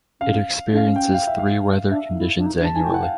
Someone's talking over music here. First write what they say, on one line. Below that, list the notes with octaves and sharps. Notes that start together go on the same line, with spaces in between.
It experiences three weather conditions annually.
C#4 F5
D4
C#4 F5
G5
F5
E5
F5
D4 E5
D#4
E4
D4
D#4
D4
A5
D#4 G#5
G5
E4
F#5
F5